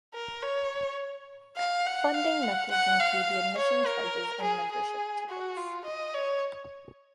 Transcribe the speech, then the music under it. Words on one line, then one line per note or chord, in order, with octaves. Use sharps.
Funding methods include the admission charges and membership tickets.
A#4
C#5
F5
F#5
F5
F#5
F#5
F5
C#5
A#4
G#4
G#4
F#4
F4
D#5
C#5